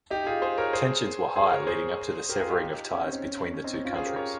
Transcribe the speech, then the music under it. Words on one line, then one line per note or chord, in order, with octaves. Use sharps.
Tensions were high leading up to the severing of ties between the two countries.
D#4 G4
F4 G#4
G#4 C5
A#4 C#5
G#4 C5
G#4 C5
A#4 C#5
G#4 C5
G4 A#4
F4 G#4
D#4 G4
C#4
C4 D#4
C#4
C#4
C4 D#4
C#4
C#4 F4
G#4 C5
G4 A#4
A#4 C#5